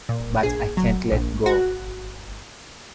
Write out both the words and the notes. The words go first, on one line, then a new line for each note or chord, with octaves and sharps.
But I can't let go.
A#2
A#1 G#4
F#3
A#1
F#4